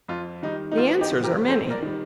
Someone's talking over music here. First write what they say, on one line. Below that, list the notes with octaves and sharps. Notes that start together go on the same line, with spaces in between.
The answers are many.
F2 F4
D#3 G3 D#4
D#4
A1 F4
D#4 G4
G2 D3 F3
G4 A#4
F2 A4 C5
A#4 D5
D#3 G3